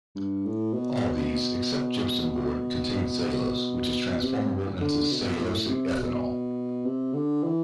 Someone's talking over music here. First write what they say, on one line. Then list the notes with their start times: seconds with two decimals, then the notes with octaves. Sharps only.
All these, except gypsum board, contain cellulose, which is transformable into cellulosic ethanol.
0.16 G2
0.46 A2
0.74 B2
4.23 C3
4.81 D3
5.11 B2
5.40 A2
5.69 C3
5.98 B2
6.85 C3
7.13 D3
7.44 E3